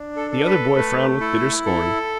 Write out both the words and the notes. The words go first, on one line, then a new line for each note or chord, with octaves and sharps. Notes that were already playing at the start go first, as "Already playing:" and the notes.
The other boy frowned with bitter scorn.
Already playing: D4
A4
A4
B4
A3 B4
E4 A4
A4